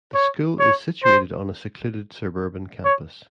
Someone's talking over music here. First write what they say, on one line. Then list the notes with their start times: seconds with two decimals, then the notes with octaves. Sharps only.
The school is situated on a secluded suburban campus.
0.15 C#5
0.60 C#5
1.04 C5
2.85 C#5